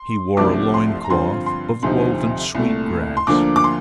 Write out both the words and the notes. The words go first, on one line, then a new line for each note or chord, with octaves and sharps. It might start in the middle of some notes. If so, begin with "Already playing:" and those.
He wore a loin cloth of woven sweet grass.
Already playing: C6
C2 C3 F3 A3 D4 D6
C6
A#5
G2 D3 F3 C4 F4 C6
C6
D2 C3 F3 C4 D#4 C6
C2 A#2 A3
C6
D2 D3 F3 A#3 D4 D6
D6
C6